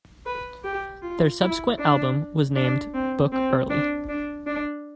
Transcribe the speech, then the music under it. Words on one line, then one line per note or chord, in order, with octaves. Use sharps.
Their subsequent album was named "Book Early".
B4
G4
F4
E4
D4
D4
C4
C4
D4
D4
D4